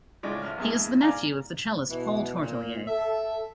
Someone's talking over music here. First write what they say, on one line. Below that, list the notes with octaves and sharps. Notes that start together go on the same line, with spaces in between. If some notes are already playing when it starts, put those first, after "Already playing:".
He is the nephew of the cellist Paul Tortelier.
A2 C#3 G#3 D4 F4
A1 F6
E2 G2 G#3
D5 F5 G#5 A#5
B2 E3
A#2
A4 E5